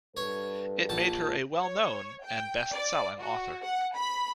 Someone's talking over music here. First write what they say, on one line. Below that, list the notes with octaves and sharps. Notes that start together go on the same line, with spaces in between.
It made her a well-known and best-selling author.
G2 A4 B4 C#5
A#1 A5
C#5
G5
D5
F#4
F#5
B5